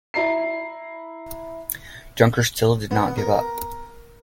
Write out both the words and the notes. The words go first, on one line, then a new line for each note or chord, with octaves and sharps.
Junkers still did not give up.
E4 A#5 C7
B3
A#4